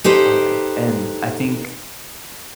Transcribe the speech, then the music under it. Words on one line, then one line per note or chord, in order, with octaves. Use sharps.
Oh, yeah, and I think,
D#4 G4 A4 B4 C5